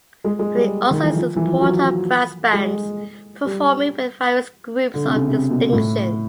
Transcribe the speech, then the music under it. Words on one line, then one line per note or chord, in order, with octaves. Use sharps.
He also is a supporter of brass bands, performing with various groups of distinction.
G#3
G#3
G3
D#3
E3
F3
E3
F3
F#3
G#3
G3
D3
C3
C#3
C3
B2
A2